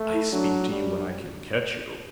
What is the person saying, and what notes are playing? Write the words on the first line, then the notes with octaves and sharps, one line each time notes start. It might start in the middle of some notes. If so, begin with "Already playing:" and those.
I speak to you when I can catch you.
Already playing: A3
E4
F#3 D4
G3